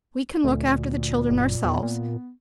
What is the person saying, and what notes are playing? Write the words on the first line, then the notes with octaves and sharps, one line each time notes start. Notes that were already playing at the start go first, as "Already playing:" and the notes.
We can look after the children ourselves.
D2 A#2
F#1
E2
A#2 B3